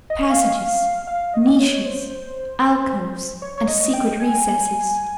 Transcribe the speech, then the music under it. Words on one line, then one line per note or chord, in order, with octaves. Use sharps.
Passages, niches, alcoves, and secret recesses.
D#5
F5
F5
D#5
C#5
C5
C#5
C#5
D#5
G5
G#5